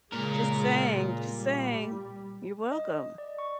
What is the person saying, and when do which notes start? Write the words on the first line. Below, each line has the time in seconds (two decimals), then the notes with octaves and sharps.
Just saying, just saying. You're welcome.
0.12 A#2 C#3 G#3 A#4
1.29 G3
2.72 D#5
3.18 D5
3.38 C#6